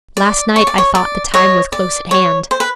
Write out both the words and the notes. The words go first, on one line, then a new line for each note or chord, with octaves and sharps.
'Last night I thought the time was close at hand.
D5
C#5
D5
C#5
D5
C#5 D#5
D5
C#5
C5
B4